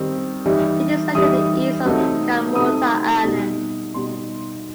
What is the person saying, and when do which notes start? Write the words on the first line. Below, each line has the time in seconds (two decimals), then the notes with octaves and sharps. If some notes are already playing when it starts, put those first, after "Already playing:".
It is located east of Kamorta island.
Already playing: D#3 G3 C4 D#4
0.45 E3 G3 D#4
1.15 E3 G3 D#4 D#6
1.85 C3 F#3 A3 D#4
2.55 C3 F#3 A3 D#4 D#6
3.24 B2 G3 D#4
3.94 B2 G3 D#4 C6